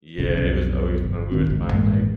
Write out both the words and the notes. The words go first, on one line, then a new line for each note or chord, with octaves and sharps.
Yeah, it was always fun. We would find, like,
E1 B1 C#3
B1 F2
G1
D1 G#1 D#3 C4
G#1 C#2
A1 G2 G#3 A#3